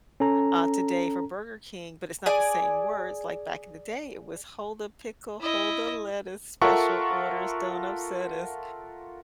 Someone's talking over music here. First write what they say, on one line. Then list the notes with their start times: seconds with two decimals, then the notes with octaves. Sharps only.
uh, today for Burger King, but it's not the same words, like, back in the day, it was: Hold the pickle, hold the lettuce, special orders, don't upset us.
0.20 C#4 A4 A#5
2.26 G#4 D5 G#5
5.40 E4 D#5
6.62 F4 A4 A#4 E5 F#5 C#6